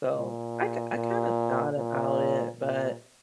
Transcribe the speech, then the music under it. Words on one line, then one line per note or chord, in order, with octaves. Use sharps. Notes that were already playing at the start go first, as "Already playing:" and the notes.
So I k I kinda thought about it, but
A#2
A#2
A#2
A#2